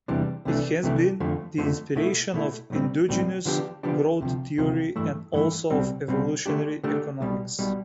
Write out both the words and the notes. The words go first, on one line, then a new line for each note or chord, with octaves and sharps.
It has been the inspiration of endogenous growth theory and also of evolutionary economics.
E2 C3 E3 G3 D4
C2 C3 E3 A3 D4
C2 C3 E3 A3 D4
F2 D3 F3 A3
F2 D3 F3 A3
B2 A3 E4
B2 A3 E4
B1 A2 G3 C4
B1 A2 G3 C4
D3 F3 B3 D4 G4
D3 F3 B3 D4 G4
D2 C3 F3
D2 C3 F3
G2 E3 A3 E4
G2 E3 A3 E4
C2 B2 G3 C4
C2 B2 G3 C4
D3 A3 D4 G4
D3 A3 D4 G4
B1 B2 G3
B1 B2 G3